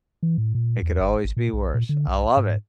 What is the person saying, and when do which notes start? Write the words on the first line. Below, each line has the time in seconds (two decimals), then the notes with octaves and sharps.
It could always be worse, I love it.
0.23 E3
0.38 A2
0.55 A#2
0.82 E2
1.01 G1
1.25 G#1
1.37 A#2
1.53 B1
1.74 A#2
1.89 D3
2.07 B1
2.37 G#2